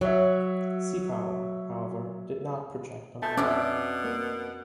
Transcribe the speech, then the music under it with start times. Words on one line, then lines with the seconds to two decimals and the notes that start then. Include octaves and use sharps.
Sea power, however, did not project on land.
0.01 F#3 C#5 E5
3.22 A3 A5 G6
3.37 F2 B2 C#4 D4 E4 D6
4.04 A#3